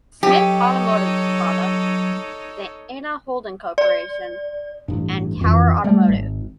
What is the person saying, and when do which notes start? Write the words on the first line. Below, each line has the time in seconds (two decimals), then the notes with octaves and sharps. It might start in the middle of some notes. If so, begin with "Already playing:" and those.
Smith Automotive Products, Dana Holding Corporation, and Tower Automotive.
0.23 F#3 D#4 G4 A4 C#5
3.78 D5
4.88 A1 G2
5.41 F2 E3
5.84 G3 A3
6.08 G#1